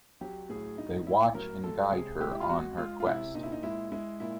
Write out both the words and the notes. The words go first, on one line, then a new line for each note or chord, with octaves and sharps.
They watch and guide her on her quest.
F#3 G4
A2 G#4
A2 D#4
A2 E4
F#3 A#4
G#3 A4
C3 G#4
G#3 G4
E4
F4
G#3 F#4
G#3 F4
F4
C3 E4
A#2 D#4
E4
D#4
G#3 E4
G#3 E4
A#2 E4